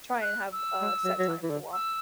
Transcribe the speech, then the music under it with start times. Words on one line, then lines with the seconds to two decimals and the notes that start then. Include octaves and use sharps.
try and have a set time to walk.
0.22 F#6
0.52 E6
0.82 G#3
1.04 F#3
1.19 F#3
1.28 E3
1.43 E3
1.50 D3
1.73 E6